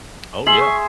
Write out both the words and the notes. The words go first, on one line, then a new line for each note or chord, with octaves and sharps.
Oh, yeah.
G#4 E5 C6 F#7
C#6